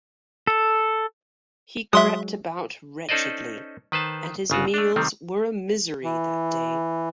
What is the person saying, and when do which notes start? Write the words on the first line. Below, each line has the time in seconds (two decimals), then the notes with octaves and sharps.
He crept about wretchedly, and his meals were a misery that day.
0.47 A4
1.93 F#3 G#3 E5 C6 D#6
3.09 C#4 D#4 A4 C5 D5 D#5
3.92 D#3 B4 C5 A5
4.50 G1 C#3 F4 F#4
4.74 A3 D4
4.96 C3 D#3 G3 C4
6.03 E3